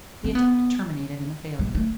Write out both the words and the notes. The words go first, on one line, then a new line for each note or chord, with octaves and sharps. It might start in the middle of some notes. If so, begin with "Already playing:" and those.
The attempt terminated in a failure.
C4
B3
G#3
A3